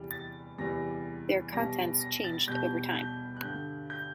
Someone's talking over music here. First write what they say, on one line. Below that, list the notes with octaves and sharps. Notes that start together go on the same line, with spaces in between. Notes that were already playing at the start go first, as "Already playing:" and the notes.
Their contents changed over time.
Already playing: E2 C3 E3 G3
A6
E2 C3 E3 G3 A#6
B2 G3 A#6
A#6
A6
B2 G3 G6
G6
F#6
G2 D3 G3 G6
G6